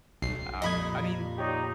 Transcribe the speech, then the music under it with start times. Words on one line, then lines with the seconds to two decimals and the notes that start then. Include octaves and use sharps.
Um, I mean,
0.22 B1 C7
0.62 F2 A#2 G3 D#5 B5 G#6
1.38 D#4 G4 C#5 D5